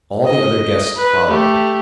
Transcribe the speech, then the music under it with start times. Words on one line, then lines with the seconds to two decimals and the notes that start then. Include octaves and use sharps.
All the other guests followed.
0.26 D#5
0.97 B4
1.28 A3 G4